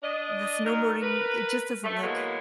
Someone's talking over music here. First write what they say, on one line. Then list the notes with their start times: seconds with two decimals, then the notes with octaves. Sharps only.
the snowboarding, it just doesn't look
0.03 D4 D#5
0.65 F#3 D#4 A#4
1.02 A#4 B4
1.84 A3
2.03 E3 F#3 G#3 A#3 B3